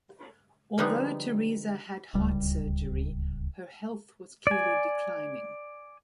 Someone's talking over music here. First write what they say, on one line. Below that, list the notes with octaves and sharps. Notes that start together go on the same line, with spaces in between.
Although Teresa had heart surgery, her health was clearly declining.
D3 F3 G3 G#3 B3 D#4
D1 C#2 G3
D5 G#5